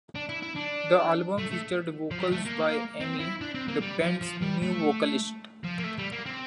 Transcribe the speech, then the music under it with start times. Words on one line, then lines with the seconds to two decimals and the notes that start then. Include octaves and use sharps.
The album featured vocals by Aimee, the band's new vocalist.
0.15 D4
0.29 E4
0.42 E4
0.55 D4
1.38 A3
1.51 A3
2.11 F3
2.19 G3
2.32 A3
2.45 A#3
3.01 C4
3.20 E4
3.41 D4
3.55 C4
3.68 A#3
3.82 G3
4.01 F3
4.22 F3
4.42 G3
4.62 A3
5.64 F3
5.78 A#3
5.84 A3
5.98 G3
6.12 A#3
6.26 C4